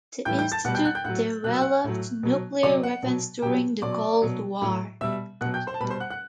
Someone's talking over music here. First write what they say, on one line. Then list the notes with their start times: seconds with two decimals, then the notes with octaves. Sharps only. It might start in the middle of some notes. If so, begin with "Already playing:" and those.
The institute developed nuclear weapons during the Cold War.
0.25 A2 E3 G3 G5 G6
0.39 G5 G6
0.52 A5 A6
0.65 B2 F#5 F#6
0.68 G3
0.75 G5 G6
0.85 F#5 F#6
0.95 G5 G6
1.04 A2 F#3 F#5 F#6
1.44 B2 F#6
1.48 F#3
1.53 E6
1.61 F#5 F#6
1.84 A2 F#3
2.23 B2 F#3
2.63 C3 F#3 D5 D6
2.83 F#5
3.03 B2 F#3
3.42 B2 F#3 G4 G5
3.82 B2 F#3 D5 D6
4.22 B2 F#3
4.62 A2 F#3
5.01 B2 G3 E5 E6
5.41 B2 F#3 F#5 F#6
5.54 G5 G6
5.67 C5 C6
5.74 A5
5.81 B2 B4 B5
5.83 G3
5.90 C5 C6
6.00 F#5 F#6
6.10 F#5 F#6